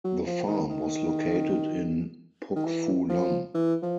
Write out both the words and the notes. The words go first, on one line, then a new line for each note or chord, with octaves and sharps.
The farm was located in Pok Fu Lam.
F#3
F3
D#3
D#3
D#3
E3
F3
E3
F3